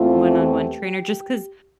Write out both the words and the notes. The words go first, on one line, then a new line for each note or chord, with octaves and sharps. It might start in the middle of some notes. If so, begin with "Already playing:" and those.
one-on-one trainer, just 'cause
Already playing: E2 E3 A3 C4 F4
G4